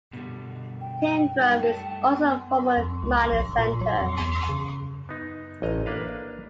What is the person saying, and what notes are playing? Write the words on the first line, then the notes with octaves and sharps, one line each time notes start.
Tyndrum is also a former mining centre.
B2 D3 G3
G5
G3 D#4 G4
G3 A3 A5
B3
F2
C#2
A#1
A#2
F#3
F2
E2
C#3
B3 D#4
A1 D#5 A#5
A#3 D4 B4 D5 F5